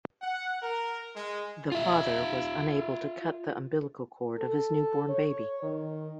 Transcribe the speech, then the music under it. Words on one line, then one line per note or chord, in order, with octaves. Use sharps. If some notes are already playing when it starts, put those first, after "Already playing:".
The father was unable to cut the umbilical cord of his newborn baby.
F#5
A#4
G#3
F4 E5
A4
C#5
D#3